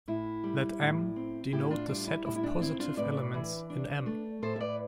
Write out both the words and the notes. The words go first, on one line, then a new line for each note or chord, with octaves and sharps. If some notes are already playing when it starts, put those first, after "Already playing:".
Let "M" denote the set of positive elements in "M".
A2 E4
G3
A2
C4
A2 E4 G4
D4 F4
G3 D4 F4
E4
A2 E4
E4
D4
C4 E4
D4 F4
A2 B4 D5
E3
D4
A3
A2 A4 C5
E5
B4 D5